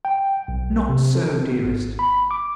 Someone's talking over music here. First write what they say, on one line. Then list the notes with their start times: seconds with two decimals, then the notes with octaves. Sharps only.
'Not so, dearest.
0.05 G5
0.48 B1
0.89 C3
1.15 A4
1.52 B3
1.65 G#1
1.99 B5
2.31 D6